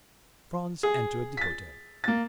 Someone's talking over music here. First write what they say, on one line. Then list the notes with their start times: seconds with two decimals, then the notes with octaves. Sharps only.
Franz entered the hotel.
0.83 G#4
1.37 A6 B6
2.04 A#3 A6